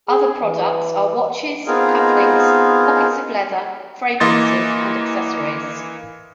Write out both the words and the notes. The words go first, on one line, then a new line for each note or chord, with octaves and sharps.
Other products are watches, cufflinks, pockets of leather, fragrances and accessories.
G#4
E3
B3 C4 D#4 F4 G#4 A#4
E3 A#3 D#5 C6 A6